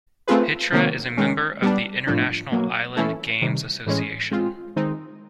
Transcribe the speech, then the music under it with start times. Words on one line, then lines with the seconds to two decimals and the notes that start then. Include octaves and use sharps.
Hitra is a member of the International Island Games Association.
0.28 A3 C4 F4 G#4 B4
0.72 C3 D#3 F#3 A#3
1.17 D#3 G#3 C#4
1.62 G3 B3 D4
2.07 A2 F3 A3 D4
2.52 B2 F#3 A#3
2.96 E3 A3 C#4 E4 A4
3.41 C3 D#3 G3
3.86 A2 E3 G#3 C#4
4.31 G#3 C4 F4
4.76 D#3 G#3 C4 D#4